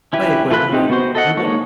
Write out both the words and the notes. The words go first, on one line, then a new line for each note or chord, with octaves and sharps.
Wait, wait, hold on, you wha
C#4 E4 G4 B4
E3 F4 A4 B5 F#6
C4 D#4 G4
B3 F#4 C5
A4 D#5 F#5
G#3 A#3 D#4 C#5